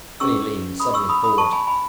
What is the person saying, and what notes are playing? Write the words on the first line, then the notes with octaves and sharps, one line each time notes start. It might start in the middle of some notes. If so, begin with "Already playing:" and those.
Then he leaned suddenly forward.
C#4 G#4 B4 C#6 E6
B5 D#6
C#6 E6
B5 D#6
B5 D#6
A5 C#6
G#5 B5
G#5 B5